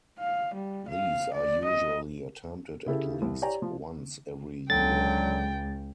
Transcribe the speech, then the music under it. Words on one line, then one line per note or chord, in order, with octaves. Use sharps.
These are usually attempted at least once every year.
F5
G3
F5
D5
D#5
C#3 E4 G4 A4
C2
G4 C#5 D5 G#5 A#5
F3
C#2 D3 F#3 G5 A6